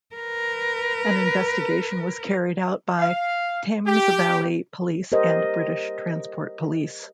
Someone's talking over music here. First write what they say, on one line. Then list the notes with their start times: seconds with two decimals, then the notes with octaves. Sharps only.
An investigation was carried out by Thames Valley Police and British Transport Police.
0.15 A#4 B4
3.00 F5
3.87 G4
5.12 G4 A#4 C5 D#5